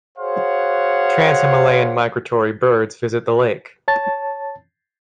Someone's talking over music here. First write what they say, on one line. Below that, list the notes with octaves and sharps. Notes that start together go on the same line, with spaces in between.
Trans Himalayan migratory birds visit the lake.
F#4 G#4 C5 C#5 F5 F#5
C#5 A5 A6